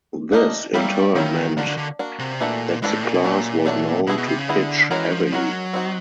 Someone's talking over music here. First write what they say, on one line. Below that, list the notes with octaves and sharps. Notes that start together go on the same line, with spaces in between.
This in turn meant that the class was known to pitch heavily.
A3 D4 G4 A#4 D#5
F#3 G3 A#3 C#4 E4
D#3 F#3 A#3 C#4 E4
D3 A#3 D4 F#4
D3
D3
A#3 D4 F#4
C3
A#2 E3 A3 D4 F#4 A4
G#2 E3 A3 D4 F#4 A4
A2
A#2
B2
A#2 F#3 A3 D4
F#3 A3 D4
B2 B3 E4 G#4
B2
C3
C#3
D3 B3 E4 G#4
E3 G#3 C#4 F#4 A#4
F3
F#3 G#3 C#4 F#4 A#4
C4 D#4 F#4